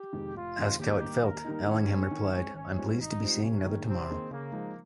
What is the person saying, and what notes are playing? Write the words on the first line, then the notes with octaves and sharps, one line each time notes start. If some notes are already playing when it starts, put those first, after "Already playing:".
Asked how it felt, Allingham replied, I'm pleased to be seeing another tomorrow.
Already playing: G4
F2 C3 D#3 G#3
F1 F4
F2 C3 D#3 G#3
D#2 G4
D#3 G3 A#3 D#4
D#2 A#4
D#3 G3 A#3 D#4
D#3 C#4
G#3 C4
D#3
G#3 C4
G#1 C#4
G#2 G3 C4 F4
G#1 D#4
G#2 G3 C4 F4
C3 C#4
D#3 A#3 D#4 G#4
C3 C4
D#3 A#3 D#4 G#4
C#3 A#3
F3 G#3 D#4